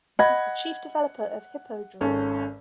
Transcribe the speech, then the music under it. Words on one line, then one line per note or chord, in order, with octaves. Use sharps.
He is the chief developer of HippoDraw.
D#5 F#5 B5 G#6
G#1 C#4 A4